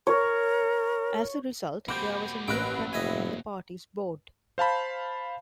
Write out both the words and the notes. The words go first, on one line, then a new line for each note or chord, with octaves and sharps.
As a result, there was a new crack in the party's board.
A#4 C#5
A#3 C4 F#4 G4 B5 D6 G6
A1 A#4 B4 G5 B5 F#6
F1 D#5 E5 G#5
C5 F5 A5 B5